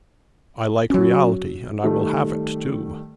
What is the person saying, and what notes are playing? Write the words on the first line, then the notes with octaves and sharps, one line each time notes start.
I like reality, and I will have it too.
F#3 C#4 F#4
D#3 G3 A3 A4